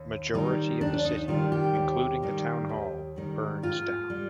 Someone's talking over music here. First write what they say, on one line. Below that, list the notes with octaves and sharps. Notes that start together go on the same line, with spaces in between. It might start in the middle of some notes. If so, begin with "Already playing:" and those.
Majority of the city, including the town hall, burns down.
Already playing: D#2
D#3 G3 D#4
D#2 D4
D#4
D#3 G3 F4
G4
D#2
D#3 G3
D#2
D#3 G3
G#2 F4
G3